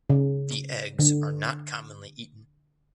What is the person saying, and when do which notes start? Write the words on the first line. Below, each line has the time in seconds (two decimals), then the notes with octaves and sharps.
The eggs are not commonly eaten.
0.10 C#3
0.99 D3